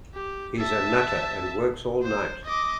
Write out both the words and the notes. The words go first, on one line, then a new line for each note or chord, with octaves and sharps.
He's a nutter and works all night.
G4
E5 A5
C5
D#5 D6